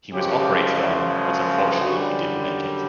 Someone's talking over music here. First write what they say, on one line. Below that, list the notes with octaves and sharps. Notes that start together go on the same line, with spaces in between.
He was operated on but unfortunately he didn't make it.
F#2 C#3 F3 G#3 G4
F#2 D3 G3 F#4